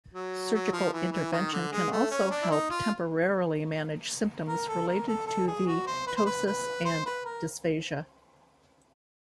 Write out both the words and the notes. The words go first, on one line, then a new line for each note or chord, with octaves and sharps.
Surgical intervention can also help temporarily manage symptoms related to the ptosis and dysphagia.
F#3
F#3
F3
E3
E3
D#3
D3
G#3
A3
C#4
D4
E4
D#4
F4
A#4
A4
A#4
A4
A4
G#4
F#4
C5
B4
C5
B4
B4
C5
B4
A#4